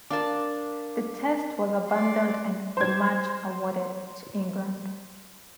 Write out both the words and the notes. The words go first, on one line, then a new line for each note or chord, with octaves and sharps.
The Test was abandoned and the match awarded to England.
D4 A#4 F5 A5 D6
D5 C6
C5 G#6